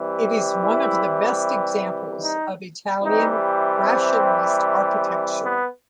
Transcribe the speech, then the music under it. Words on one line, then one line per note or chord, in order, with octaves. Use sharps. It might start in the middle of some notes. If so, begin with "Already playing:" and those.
It is one of the best examples of Italian Rationalist architecture.
Already playing: C3 E3 G3
E4
D#4
C3 E3 G3 D#4
C4
B3